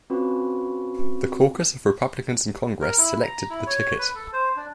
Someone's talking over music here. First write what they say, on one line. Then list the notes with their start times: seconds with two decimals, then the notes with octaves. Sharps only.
The caucus of Republicans in Congress selected the ticket.
0.10 C4 C#4 F4 F#4 B4 B5
2.81 A#4
2.98 E4
3.22 A#5
3.50 E4
3.67 C#5
3.98 B4
4.15 A4
4.33 C5
4.56 D4